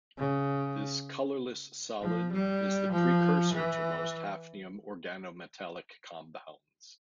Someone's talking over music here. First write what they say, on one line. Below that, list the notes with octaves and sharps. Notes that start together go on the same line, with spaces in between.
This colourless solid is the precursor to most hafnium organometallic compounds.
C#3
F3
G3
F3
E3